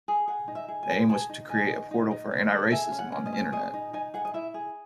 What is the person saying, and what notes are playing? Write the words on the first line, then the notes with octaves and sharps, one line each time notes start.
The aim was to create a portal for anti-racism on Internet.
G#4
G#4 F#5
D#4
E5
G#4
G#5
G#4
G#4 A5
D#4
D#4 G#5
D#4
D#4
D#4
D#4
A4
G#4 E5
C#4
F#5
C#4
D#5
C#4
G#4 D#5
D#4
D#4 G#5
G#4 F#5
D#5
E4 E5
G#4